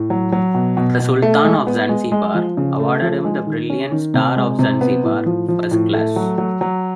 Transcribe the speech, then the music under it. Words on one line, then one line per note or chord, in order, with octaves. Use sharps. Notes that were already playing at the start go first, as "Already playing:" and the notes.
The Sultan of Zanzibar awarded him the Brilliant Star of Zanzibar, First Class.
Already playing: A2
F#3
F#3
B2
B2
B2
A3
G#3
B3
G#3
G#3
F3
C#3
A3
F3
G#3
D#3
C#4
D#3
C3
G#3
C3
B3
A2
F3
F3
A2
A3
F#3
F#3
F#3